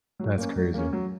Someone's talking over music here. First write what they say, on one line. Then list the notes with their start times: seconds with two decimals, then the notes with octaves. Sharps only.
That's crazy.
0.19 F#3
0.38 A#3 C#4
0.57 F#3
0.74 A#3 C#4
0.93 F#3